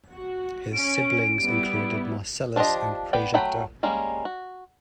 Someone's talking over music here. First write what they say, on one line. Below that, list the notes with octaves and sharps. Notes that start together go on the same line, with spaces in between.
His siblings included Marcellus and Praejecta.
F#4
C#4 D7
G3 B3 E4
F3 D4 G4 C5 D#5
B3 B4 D5 G5
F#3 A3 F#5 G5 B5
G3 G#3 A#3 C#4
F#4